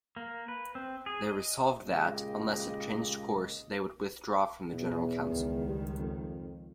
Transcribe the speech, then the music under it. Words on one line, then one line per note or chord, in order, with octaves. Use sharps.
They resolved that, unless it changed course, they would withdraw from the General Council.
A#3
B4
C4
G#4
D#5
A#2 C#3 G#3 A#3 G4 D#5
E2 B2
C#2 D#3
G3
F2